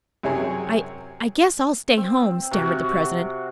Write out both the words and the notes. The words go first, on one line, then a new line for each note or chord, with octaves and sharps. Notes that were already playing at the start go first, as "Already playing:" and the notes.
"I--I guess I'll stay home," stammered the president.
F#2 C3 E4 G#4 C#5 G#5
C4
C3 F#4